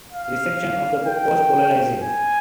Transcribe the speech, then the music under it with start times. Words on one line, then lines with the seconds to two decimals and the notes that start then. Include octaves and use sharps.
Reception of the book was "polarizing".
0.12 F5
1.06 G5
2.00 G#5